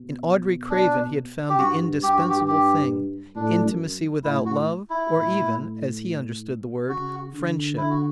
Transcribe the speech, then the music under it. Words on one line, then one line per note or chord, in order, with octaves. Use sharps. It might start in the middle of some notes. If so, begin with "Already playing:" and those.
In Audrey Craven he had found the indispensable thing--intimacy without love, or even, as he understood the word, friendship.
Already playing: B2
D4
G4
G2 F#4
G2 G4
F#4
G4
G4
A2 D4
F#2
A2 E4
F#4
E4
A2
C#3 F#4
D3
D3 E4
F#4